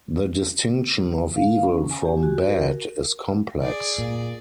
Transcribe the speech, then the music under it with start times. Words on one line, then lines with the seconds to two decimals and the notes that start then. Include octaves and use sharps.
The distinction of evil from 'bad' is complex.
1.36 F5
1.64 C#4
1.91 G#5
2.05 G4
2.23 F#4
2.47 A#4
3.63 G#4 D5
3.98 A#2